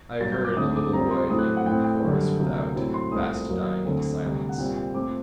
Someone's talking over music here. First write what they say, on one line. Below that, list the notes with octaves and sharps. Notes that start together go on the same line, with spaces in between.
I heard a little wailing chorus without, fast dying into silence.
G2 F#3 A#3 A6
G6
D6
D2 D3 A3 C4 D#6
D6
A#2 G3 C4 A#5
C6
A2 F#3 A3 C4 D#6
F#6
F#5
A2 A3 C4 G5
G5
F#2 D3 G3
D2 C3 F#3 A#3
A2 F#3 C4
C6
C2 A#2 A3 C4 D#6
F#2 F#3 A#3
D2 D3 A3 C4
D2 C3 G3
F#5
A#2 G3 C4 G5
G5
A#2 A3 C4 D6